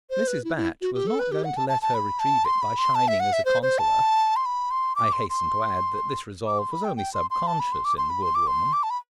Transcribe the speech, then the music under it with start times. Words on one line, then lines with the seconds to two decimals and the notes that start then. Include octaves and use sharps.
Mrs. Batch was not going to let her retrieve it by shining as a consoler. I hasten to add that this resolve was only sub-conscious in the good woman.
0.10 C5
0.27 B4
0.44 E4
0.56 E4
0.82 F#4
0.94 G4
1.07 A4
1.19 B4
1.32 G4
1.44 F#5
1.57 A5
1.69 A5
1.82 A5
1.94 B5
2.19 A5
2.45 C6
2.62 B5
2.78 C6
2.95 A5
3.08 E5
3.20 F#5
3.33 E5
3.45 C5
3.62 C5
3.78 A5
4.36 C6
4.45 B5
4.71 C6
4.96 D6
5.13 C6
5.30 C6
6.47 D6
6.59 C6
6.72 B5
6.84 G5
6.97 G5
7.14 C6
7.30 C6
7.47 A5
7.60 B5
7.72 C6
7.85 D6
7.98 C6
8.10 B5
8.22 C6
8.35 D6
8.47 C6
8.73 D6
8.83 A5
8.90 B5